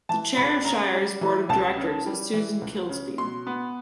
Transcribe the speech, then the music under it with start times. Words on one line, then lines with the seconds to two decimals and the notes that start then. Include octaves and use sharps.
The Chair of Shire's Board of Directors is Susan Kilsby.
0.09 E3 A5
0.37 C#2 B5
0.65 C#3 A#5
0.93 G3
1.21 E3
1.49 C#2 A5
1.77 C#3
2.06 G3
2.34 E3
2.61 C#2
2.89 C#3
3.18 B2 C6
3.47 B3